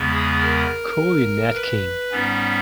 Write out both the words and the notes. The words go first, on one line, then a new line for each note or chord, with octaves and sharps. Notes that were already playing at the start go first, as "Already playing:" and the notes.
Cole, Nat 'King'.
Already playing: E2 C#3 G#3 B3
G#4
A#4
B4
G#2 G3 B3 C#4